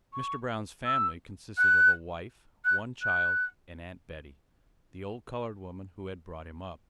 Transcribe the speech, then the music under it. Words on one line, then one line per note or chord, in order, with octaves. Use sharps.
Mr. Brown's family consisted of a wife, one child, and Aunt Betty, the old colored woman who had brought him up.
C#6
E6
F#6
F#6
F#6